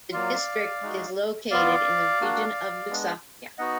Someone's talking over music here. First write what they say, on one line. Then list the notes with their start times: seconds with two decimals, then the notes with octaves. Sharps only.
The district is located in the region of Lusatia.
0.12 F#3 A#3 F4 D5 F5
0.82 G#3 D#4 F#4
1.51 B3 F4 D5 F5
2.21 A#3 D4 F#4
2.90 G#3 B3 D4
3.58 B3 D#4 F#4 D#5 F#5